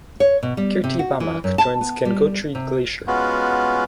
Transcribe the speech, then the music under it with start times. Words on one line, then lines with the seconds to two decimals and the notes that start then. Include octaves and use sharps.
Kirti Bamak joins Gangotri glacier.
0.20 C#5
0.43 B2
0.57 G3
0.84 C3
0.99 F#4
1.20 E3
1.44 F#2
1.58 A5
1.81 B3
2.05 G3
2.55 C3
3.07 G#3 B3 C#4 F4 F#4